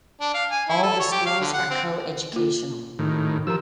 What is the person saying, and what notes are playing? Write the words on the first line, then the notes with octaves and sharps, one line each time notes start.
All the schools are coeducational.
D4
F5
G#5
E4
A4
C#5
G4
F5
D3
F#5
C4
A#3 F4
A2 D#3
F3 G4 A#4 A#5 E6